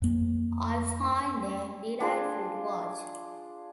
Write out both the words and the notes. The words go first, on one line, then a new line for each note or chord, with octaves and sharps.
I find them delightful to watch.
F2 A#3
D4 F4 G#4 C6